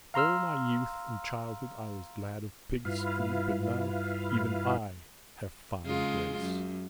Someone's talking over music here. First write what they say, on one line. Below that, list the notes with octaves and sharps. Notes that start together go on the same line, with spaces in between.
All my youth and childhood I was glad of pigs' food, but now even I have found grace.
F5 A#5 C6 E6 F6
G2 E4 F4 B4 F5
C#3 G#3 F4
F#2